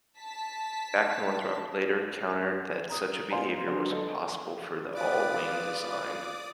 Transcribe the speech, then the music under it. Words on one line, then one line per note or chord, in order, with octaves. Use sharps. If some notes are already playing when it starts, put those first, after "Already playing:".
Jack Northrop later countered that such a behavior was impossible for the all-wing design.
A5 B6
A#5 D#6
B3 F4 C5 F5 G#5 A#5
D3 F#3 F#4 B4 C5
A4 C5 D#5 A5
F4 B4 D5 D6 D#6